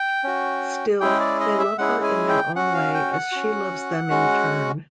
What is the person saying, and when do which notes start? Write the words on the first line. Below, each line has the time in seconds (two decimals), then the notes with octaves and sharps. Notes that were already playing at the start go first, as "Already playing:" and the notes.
Still, they love her in their own way as she loves them in turn.
Already playing: G5
0.24 C#4 F#4
1.00 G#3 C#4 E4 G#4 G5
1.20 D5
1.40 D#5
1.59 E5
1.78 G#3 C#4 E4 G#4 F#5
2.04 G#5
2.29 G5
2.56 C#4 F#4 F#5
2.74 F5
2.94 G5
3.13 F#5
3.32 C#4 F#4
4.10 G#3 C#4 F#4